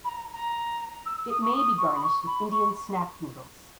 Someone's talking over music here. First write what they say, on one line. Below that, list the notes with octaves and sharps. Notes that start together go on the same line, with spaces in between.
It may be garnished with Indian snack noodles.
B5
A#5
A#5
E6
E6
D#6
C#6
D#6
C#6
B5
C#6
B5
C#6